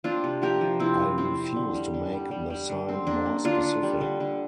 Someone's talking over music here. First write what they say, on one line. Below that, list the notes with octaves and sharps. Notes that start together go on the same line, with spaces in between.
I refuse to make the sign more specific.
C4 D4 F4
C3
F3 G4 A#4
F3
C3 C4 E4
F3
C3 C4
C4
D3
G3
D3
G3
G3
G3
D3
C4
A#3 D4
A#3
D3 D4 F4
D3
G3
D3
D3